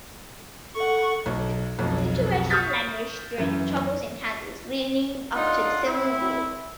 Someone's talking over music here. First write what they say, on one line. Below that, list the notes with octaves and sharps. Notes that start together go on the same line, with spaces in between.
The situation languished during the troubles in Kansas leading up to the Civil War.
A4 F#5 C#6
B1
B1 F2
C#6 D#6 F6 G6 A6 B6
F#2 E3
A2 D4 D#4 F4 F#5
C4 E4